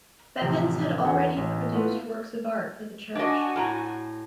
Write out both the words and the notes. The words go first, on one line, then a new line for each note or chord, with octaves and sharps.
Bevans had already produced works of art for the church.
A1 C3 F3
E2 D3 F#4 F#5 G#5
A1
A3 B3 E4 F4 B4
D4 F#4 D#5 G#5 A5
A2 A#5